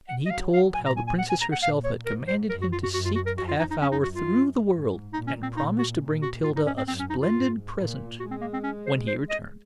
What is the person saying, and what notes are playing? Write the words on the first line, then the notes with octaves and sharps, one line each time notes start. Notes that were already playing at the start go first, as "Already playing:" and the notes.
And he told how the Princess herself had commanded him to seek the half-hour through the world, and promised to bring Tilda a splendid present when he returned.
F#5
D#5
F#3 F5
F5
A#2 G#5
A#5
G#5
G#5
F#5
G#5
A#5
F#5
A#2 F5
C#5
G#2 A#4
C5
F#2 A#4
F#4
F4
F#4
F#2 F#4
F4
F#4
A#4
F2 F#4
F4
D#4
D#4
F#2 C#4
D#4
F#4
F4
G#2
A#2 D#4
C#4
C4
A#2 D#4
F#4
A#2
F#4
G#2 F4
D#4
C#4
C4
F#2 C4
C#4
D#4
F4
G#2
A#2
G#3 F#4
C4
A#3
C4
C#4
C5
C5
D#5